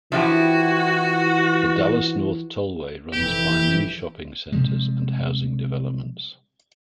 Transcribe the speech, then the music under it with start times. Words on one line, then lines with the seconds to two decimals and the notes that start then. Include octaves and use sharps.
The Dallas North Tollway runs by many shopping centers and housing developments.
0.12 E3 F3 E4 F#4 G4
3.13 F1 E3 G4
4.52 C3 F3 G3 G#3